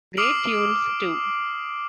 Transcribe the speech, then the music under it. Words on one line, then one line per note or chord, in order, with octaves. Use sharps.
Great tunes too.
D6 D#6 F6 C7 D7 F#7